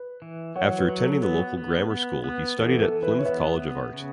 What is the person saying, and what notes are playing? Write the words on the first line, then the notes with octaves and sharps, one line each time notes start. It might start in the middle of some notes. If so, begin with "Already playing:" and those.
After attending the local grammar school he studied at Plymouth College of Art.
Already playing: B4
E3
F#3 C#5 F#5
B4
F#3
A4
B3 B4
B3
B3
B3
E3 A4
A4
E3
B4
C#5
B3 B4 E5
B3
C#3